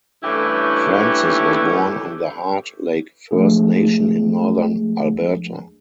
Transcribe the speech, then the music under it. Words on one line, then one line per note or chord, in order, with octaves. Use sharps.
Francis was born on the Heart Lake First Nation in northern Alberta.
G2 E3 A3 C#4 E4 G4
F3 G#3 A3 D4 G#4